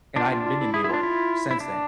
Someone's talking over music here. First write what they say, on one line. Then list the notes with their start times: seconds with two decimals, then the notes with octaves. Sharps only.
and I hadn't been to New York since then,
0.16 D4 F4
0.31 D4 F4
0.45 F4
0.60 E4
0.74 E4 G#4
0.84 E4
0.88 F4
0.94 D4
1.03 E4
1.51 E4
1.60 D4